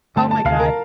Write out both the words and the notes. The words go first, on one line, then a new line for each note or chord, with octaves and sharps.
Oh my god.
G2 D3 A3 A5
A5
D2 C3 D#3 F5
A#4